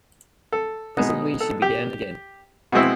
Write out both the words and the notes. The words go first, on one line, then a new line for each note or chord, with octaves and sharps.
Presently she began again.
A4
B2 G#3 B3 D#4
A4
G4
B2 G#3 C4 E4 F#4